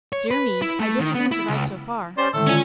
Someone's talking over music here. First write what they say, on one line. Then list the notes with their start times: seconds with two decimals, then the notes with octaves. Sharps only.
Dear me, I didn't mean to ride so far.
0.13 C#5
0.31 B4
0.62 E4
0.80 A3
0.99 D#3
1.14 B3
1.31 E4
1.49 C#2
2.18 C#4 G4 C5 D5
2.33 A2 D3 D#3 G#3 A3 A4
2.47 C#4 F4 C#5 D5 G#5